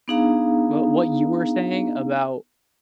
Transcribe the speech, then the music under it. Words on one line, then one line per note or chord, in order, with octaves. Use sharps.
wh what you were saying about
B3 D4 D#4 G#4 F5 A#5